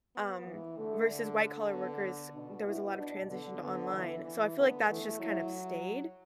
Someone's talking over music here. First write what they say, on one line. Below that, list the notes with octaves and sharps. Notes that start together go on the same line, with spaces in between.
Um, versus white collar workers, there was a lot of transition to online. So, I feel like that's just kind of stayed.
B3
E3
D3 A3
D3
D3
B3
B2 D4
E4
D4
D3 B3
D3 B3
E3
E3
D3 B3
E3 A3
F#3 E4